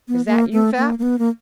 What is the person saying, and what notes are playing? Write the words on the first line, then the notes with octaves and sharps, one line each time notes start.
"Is that you, Vapp?"
B3
A#3
A3
A#3
A#3
B3
A#3